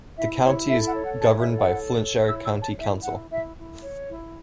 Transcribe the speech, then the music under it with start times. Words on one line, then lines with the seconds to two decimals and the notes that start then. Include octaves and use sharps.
The county is governed by Flintshire County Council.
0.17 E4 E5
0.43 E4 C#5
0.69 A4 E5
0.87 F#5
0.95 C#5
1.03 F#5
1.21 E4 A5
1.39 E5
1.48 A4
1.56 F#5
1.73 C#5
2.00 C#5
2.26 E4 E6
2.43 E6
2.51 C#5
2.61 A5
2.77 E4 E5
3.04 E4 F#5
3.31 E4 E5
3.56 E4
3.82 C#5
4.09 E4